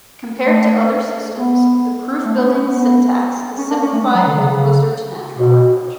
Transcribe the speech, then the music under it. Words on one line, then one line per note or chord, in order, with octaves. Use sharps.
Compared to other systems, the proof-building syntax is simplified and closer to natural language.
A3
B3
A3
B3
C#4
C#4
B3
C#4
D4
C#4
A3
G#3
F#3
D3
C#3
C#3
B2